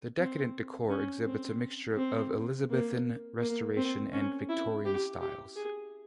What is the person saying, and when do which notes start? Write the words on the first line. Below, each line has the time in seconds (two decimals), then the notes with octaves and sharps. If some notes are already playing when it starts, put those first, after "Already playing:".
The decadent court exhibits a mixture of Elizabethan, Restoration and Victorian styles.
0.18 C4
0.90 C#4
1.26 C4
1.97 C4
2.70 A#3
3.41 A#3
3.77 C4
4.12 C#4
4.49 E4
4.85 G4
5.20 G4
5.56 G#4